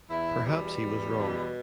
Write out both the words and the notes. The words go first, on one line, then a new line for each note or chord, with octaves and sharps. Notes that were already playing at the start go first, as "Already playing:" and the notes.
Perhaps he was wrong.
E2 E4
B2 G3
E2
B2